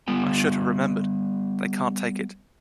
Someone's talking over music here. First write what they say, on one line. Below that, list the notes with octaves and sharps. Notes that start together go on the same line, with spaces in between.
I should have remembered, they can't take it.
G3 B3 G5